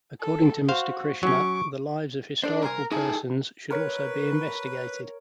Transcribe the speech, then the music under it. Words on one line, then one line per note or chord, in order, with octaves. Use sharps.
According to Mr. Krishna the lives of historical persons should also be investigated.
A4
F#4 C5 F5
F#3 C#4 C#6 D6
D4 A4 C5
C2 A#4 C5 G#5
D#4 E4 F#4 G#4 A4
A#4 B4 C#5 C#6